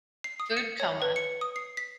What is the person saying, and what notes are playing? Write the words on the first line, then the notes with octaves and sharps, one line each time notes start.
Food coma.
C7
D#6
C#7
C#5
B4
C#7
D#6
C7
B6